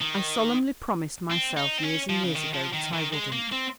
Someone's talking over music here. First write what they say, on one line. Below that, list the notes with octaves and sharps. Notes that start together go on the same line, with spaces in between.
I solemnly promised myself years and years ago that I wouldn't.
D#3
C4
D#4
C4
C#4
F3
C#3
D#3
F3
D#3
D#3
G#3
A#3
C4